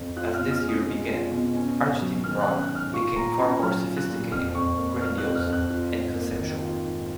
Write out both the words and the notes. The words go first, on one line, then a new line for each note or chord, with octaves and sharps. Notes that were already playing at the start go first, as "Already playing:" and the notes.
As this year began, Argentine rock became far more sophisticated, grandiose, and conceptual.
Already playing: F2
F4 F#6
F6
B2
F6
C#4
D#6
G#3
F4
B2
C#4
G#2
F#3
D#3 F6
F#6
C#4
F#6
G#2
F6
F4 C#6
A#2 A#5
A#5
C#4 B5
F#3 F6
F4
F#6
A#2
F2 F6
F2 C#6
A#3
F3 F6
F#6
F2
F6
F2
F#6
F4
G#2
A#3
D#3
F4
G#2